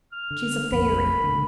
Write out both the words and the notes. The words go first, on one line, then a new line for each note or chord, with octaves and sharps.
She's a fairy.
F6
D3
F1 A#1 F2 B5
C#2 D3